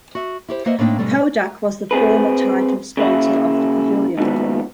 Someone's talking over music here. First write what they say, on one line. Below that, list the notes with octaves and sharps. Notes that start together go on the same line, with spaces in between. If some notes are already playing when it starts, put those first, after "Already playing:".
Kodak was the former title sponsor of the pavilion.
F#4 E5
E4 G4 C5
A#3 B4 C5 D#5 E5 F#5
A2 A#3 C4 D4 D#4 G5
G#2 B2 D3 G3 A3
C4 G#4 B4
C#3 A#3 E4
D#2 G#2 B2 F3 B3